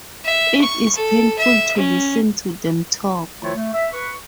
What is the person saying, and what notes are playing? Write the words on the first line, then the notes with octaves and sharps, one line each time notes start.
It is painful to listen to them talk.
E5
C#6
A4
E5
C#4
D#3 F3 A3 E4 F4 C#5
A3
E5
B4 C#6